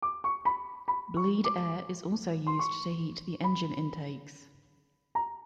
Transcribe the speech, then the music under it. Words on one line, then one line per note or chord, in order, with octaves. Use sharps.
Bleed air is also used to heat the engine intakes.
D6
C#6
B5
B5
C#6
D6
C6
C#6
B5
A#5